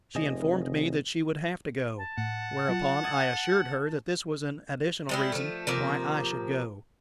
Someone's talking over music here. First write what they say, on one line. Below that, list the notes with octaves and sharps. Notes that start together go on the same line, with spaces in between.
She informed me that she would have to go, whereupon I assured her that this was an additional reason why I should go.
F1 C3 G#4 D#5
A5
A2 F#5
F#3 F4
D#6 G#6 A6
G3 G#3 E4
F3 A3
C3 F3 A#3